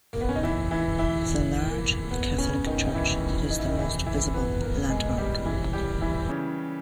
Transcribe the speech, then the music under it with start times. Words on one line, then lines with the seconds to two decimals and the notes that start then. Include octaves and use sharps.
The large Catholic church is the most visible landmark.
0.13 A#3
0.21 B3
0.29 C#4
0.36 D#4
0.43 E3 E4
0.71 E3 E4
0.99 E3 E4
1.69 A#3
2.11 B3
2.38 C#3 C#4
2.66 D#3 D#4
2.85 D#4
2.94 E3 E4
3.50 D#4
3.59 E4
3.67 D#3 D#4
3.78 E3 E4
4.06 E3 E4
4.34 B3 B4
4.61 A#3 A#4
4.90 G#3 G#4
5.18 G3 G4
5.45 E3 E4
5.73 G3 G4
6.01 E3 E4
6.29 C#3 C#4